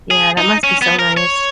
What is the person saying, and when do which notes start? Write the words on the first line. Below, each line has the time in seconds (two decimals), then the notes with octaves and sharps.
Yeah, that must be so nice.
0.11 G#4
0.38 D#4
0.64 C#4
0.82 B3
0.99 A#4
1.17 C#5